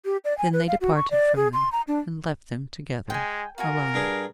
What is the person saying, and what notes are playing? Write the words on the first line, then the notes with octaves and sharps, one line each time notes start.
Then they departed from them, and left them together, alone.
G4
D5
G#5
B4
F5
F#4
C#6
D5
G#4
C6
A#5
D4
G#3 G5 G#5
F4 F#4 A#4 G#5
G2 D4 G#4